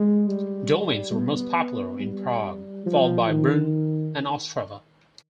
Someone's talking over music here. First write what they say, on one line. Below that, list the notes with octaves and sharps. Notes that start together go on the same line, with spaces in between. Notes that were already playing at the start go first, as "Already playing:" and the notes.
Domains were most popular in Prague, followed by Brno and Ostrava.
Already playing: G#3
G3
B3
G3
F3
D#3